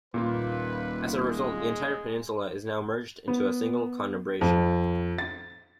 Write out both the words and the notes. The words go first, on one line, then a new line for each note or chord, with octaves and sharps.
As a result, the entire peninsula is now merged into a single conurbation.
D#1 A#2 A#3 F4 B4
G#3
B3
F2
A6